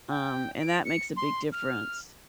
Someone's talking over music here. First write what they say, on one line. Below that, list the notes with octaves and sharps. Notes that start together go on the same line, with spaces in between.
um, and that makes a big difference,
G5
D7
C#7
C6
F6